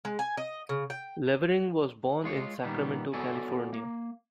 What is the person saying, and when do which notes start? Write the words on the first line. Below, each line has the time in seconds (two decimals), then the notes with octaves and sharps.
Levering was born in Sacramento, California.
0.05 G#3
0.19 G#5
0.37 D#5
0.69 C#3
0.90 G5
2.24 G#3 F4 C#5
2.64 A#2 D#3 G3 B3
3.13 B3 F#4 A4 C#5 D5 G#5
3.73 A#3